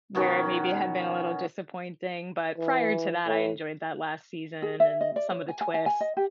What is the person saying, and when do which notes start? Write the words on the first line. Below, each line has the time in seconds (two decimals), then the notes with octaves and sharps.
where it maybe had been a little disappointing, but prior to that, I enjoyed that last season and some of the twists,
0.15 B2 D#3 C#4 F#4
2.58 E3
3.26 A2
4.62 G#4
4.80 E5
5.01 D#5
5.16 D5
5.31 C#5
5.48 G#5
5.61 G#5
5.74 G#5
5.86 G#5
6.01 D#5
6.17 G4